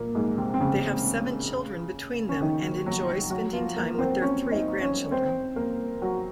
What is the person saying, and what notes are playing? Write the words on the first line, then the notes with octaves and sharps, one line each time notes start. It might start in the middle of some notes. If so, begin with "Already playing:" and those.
They have seven children between them and enjoy spending time with their three grandchildren.
Already playing: A#2 A#3
G#2 G#3
C3 C4
C4
C#3 C#4
C#4
D#3 D#4
F#3 F#4
F#3 F#4
F3 F4
A#3 A#4
A#4
C4 C5
C#4 C#5
D#4 D#5
C#4 C#5
C4 C5
A#3 A#4
F#3 F#4